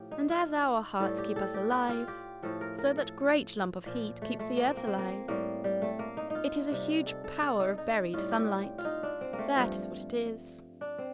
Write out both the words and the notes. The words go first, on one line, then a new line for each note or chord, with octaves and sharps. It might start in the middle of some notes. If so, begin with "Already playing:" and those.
And as our hearts keep us alive, so that great lump of heat keeps the earth alive: it is a huge power of buried sunlight--that is what it is.
Already playing: A2 F3 G4
D#4
F4
A2 G3 A4
G4
A4
G4
G4
F4
G4
A2 F3 A4
A#4
A#4
A4
A#2 F3
A3
A3
A#3
C4
A#3
C4
A#3
A2 G3 A#3
G3
A3
A#3
D#4
D#4 F4
C3 G3
A4
A4
A4
D#4
D#4
A2 G3 F4
G4
F4
D#4
D4
C4
A#3
A3
G2 F3
D4
C4